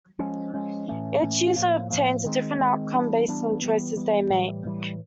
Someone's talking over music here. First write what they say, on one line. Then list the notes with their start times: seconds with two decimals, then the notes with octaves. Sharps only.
Each user obtains a different outcome based on the choices they make.
0.19 F3 G#3 C#4
0.54 F3 G#3 C#4
0.88 A2 E3 A3 C#4
1.22 A2 E3 A3 C#4
1.56 A2 F3 A#3
1.90 A2 F3 A#3
2.25 D#3 G#3 C4
2.59 D#3 G#3 C4
2.93 E3 G3 B3 D4
3.28 E3 G3 B3 D4
3.62 E3 G3 B3
3.96 E3 G3 B3
4.30 A2 E3 G3
4.65 A2 E3 G3